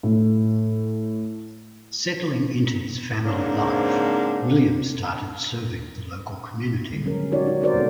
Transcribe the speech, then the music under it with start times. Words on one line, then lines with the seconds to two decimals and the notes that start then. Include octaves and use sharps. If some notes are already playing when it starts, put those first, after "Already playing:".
Settling into his family life, William started serving the local community.
0.03 A2
3.25 G#2 C#3 A#3 C4 D4
6.91 A#2 D3 D#3 G3 G#3
7.04 F#3 C#4 A#4
7.32 F#3 D#4 F#4 G4 C#5 D5
7.46 C#4 D#4 G4
7.61 C4 D#4 F#4 A#4 C5 D5
7.74 B2 G#3 B3 A4